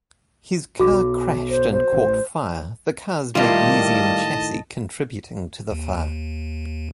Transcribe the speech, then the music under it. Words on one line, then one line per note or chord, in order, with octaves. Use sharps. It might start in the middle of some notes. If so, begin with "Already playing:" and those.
His car crashed and caught fire, the car's magnesium chassis contributing to the fire.
B1 F#4 D6
C5
C5
A1
A2 D#3 G3 A#3 E4 F4 D#5 A5
D#2